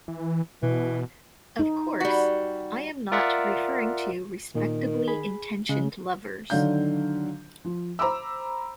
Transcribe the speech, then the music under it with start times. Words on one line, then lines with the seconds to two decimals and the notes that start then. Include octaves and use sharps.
Of course, I am not referring to respectably-intentioned lovers.
0.08 E3
0.63 B2 E3
1.59 D#4
2.00 G3 F#4
3.12 F4 A#4 D5 E5 F#5
4.55 A#2 D#3
5.08 G#4 B5
5.69 C#3 G#3
6.50 D3 D#3 F#3 D4 F5 G6
7.65 F3
7.99 C5 A#5 B5 D6 E6